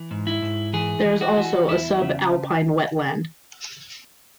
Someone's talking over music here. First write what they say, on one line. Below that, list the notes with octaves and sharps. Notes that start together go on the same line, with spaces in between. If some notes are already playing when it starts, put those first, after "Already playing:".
There is also a sub-alpine wetland.
Already playing: E3
G#2
E4
G#2
E3 G#4
E3
F#4
E3
E2 E4
C#3